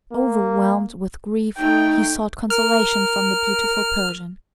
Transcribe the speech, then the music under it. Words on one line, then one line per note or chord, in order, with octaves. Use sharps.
Overwhelmed with grief, he sought consolation from the beautiful Persian.
A#3
A3 D#4 G5
A#4 F6